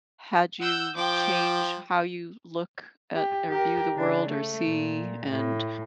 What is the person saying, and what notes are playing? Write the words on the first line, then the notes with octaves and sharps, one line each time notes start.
had you change how you look at or, view the world, or see, and
F#5 E6 G6
F3 G5 D6
G4
G4 A#4
C#3 D4
A3
A#2
A2